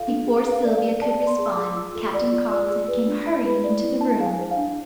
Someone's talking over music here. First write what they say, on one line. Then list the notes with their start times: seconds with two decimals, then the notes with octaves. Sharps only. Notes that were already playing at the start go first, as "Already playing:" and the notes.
Before Sylvia could respond Captain Carleton came hurrying into the room.
Already playing: F4 A4 F5
0.08 D4
0.27 G#4
0.45 B4
0.52 F5
0.64 D5
0.77 F5
0.83 G#4
1.02 D5 A5
1.21 D5
1.27 C6
1.39 G#4
1.46 E6
1.51 D6
1.57 G#4
1.76 F4 E6
1.95 A4
2.14 D5
2.32 F4
2.51 D5 E6
2.70 G#4
2.88 B4
3.07 D4
3.26 E4 B5
3.45 B4
3.64 D5
3.81 E4
4.01 D4 A5
4.20 G#4 F5
4.26 G#5
4.39 C5
4.51 F5
4.57 D4